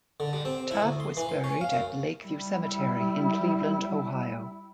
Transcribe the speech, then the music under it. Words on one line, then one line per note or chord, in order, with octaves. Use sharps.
Taft was buried at Lake View Cemetery in Cleveland, Ohio.
D3
G3
C4
E4
D2
C6
E3
C6
C#4
F5
F#2
G3 E4